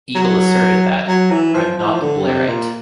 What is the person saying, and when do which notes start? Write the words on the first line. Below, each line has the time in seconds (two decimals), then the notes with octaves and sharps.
Eagle asserted that: I'm not a Blairite.
0.15 F#3
1.07 F#3
1.31 E3
1.54 F3
1.78 F3
1.85 E3
1.93 F3
2.01 D3
2.24 C3
2.48 A#2